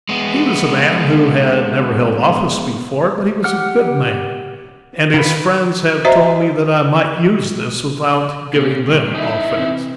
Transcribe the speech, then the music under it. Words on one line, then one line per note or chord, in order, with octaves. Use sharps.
He was a man who had never held office before; but he was a good man, and his friends have told me that I might use this without giving them offense.
G#3 B3
G4 F#5 F6
D#3 F4 B4
F#4 C5 D#5 E5 A#5
A#2 C#3 G4
G2
D#4 E4 D#6
C3 E3 C4